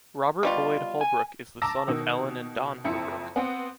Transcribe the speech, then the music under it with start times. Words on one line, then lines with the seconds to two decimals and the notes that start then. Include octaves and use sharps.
Robert Boyd Holbrook is the son of Ellen and Don Holbrook.
0.43 B2 G3 F4
1.01 G#5
1.62 A5 A#5 D6 E6 A#6
1.88 B2 D#3
2.84 F#1 F2 C4 E4 E5 C#7
3.36 B3 C4 F#5